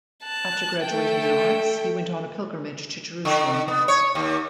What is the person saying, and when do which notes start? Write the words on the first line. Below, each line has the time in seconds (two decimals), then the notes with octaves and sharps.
After graduating in arts he went on a pilgrimage to Jerusalem.
0.24 A5 F#6
0.84 A3 G5
3.25 D3
3.68 B3
3.88 C#5
4.15 D#2